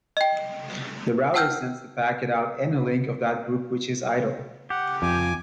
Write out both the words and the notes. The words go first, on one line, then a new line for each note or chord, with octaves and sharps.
The router sends the packet out any link of that group which is idle.
D#5 G5
F#5 G5 A5 E6 F6 G6
G4 F#5
F2 G#5 D6